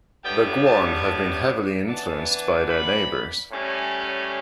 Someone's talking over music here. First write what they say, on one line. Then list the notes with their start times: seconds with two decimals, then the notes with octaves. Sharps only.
The Guan have been heavily influenced by their neighbors.
0.24 A2 G3 B3 D4 G5
0.65 A5
1.05 A5
1.87 E3 B3 D4 A5
2.70 B5
3.52 A2 G3 C#4